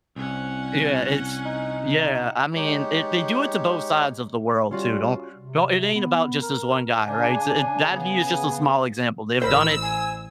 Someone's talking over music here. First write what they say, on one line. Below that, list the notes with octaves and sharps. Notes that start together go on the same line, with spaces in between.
Y yeah, it's yeah, I mean, it they do it to both sides of the world, too. Don't don't it ain't about just this one guy, right? So, that he is just a small example, they've done it
C2 C#4 F#5
D#4
G#3 D#4 G4 C#5
G3 C#4 F4 F#4
C3
B3
A#4
C#3 D4 G#5
C#3 B3 G#5
A1 E3 A#4 C5 B5 E6
G#5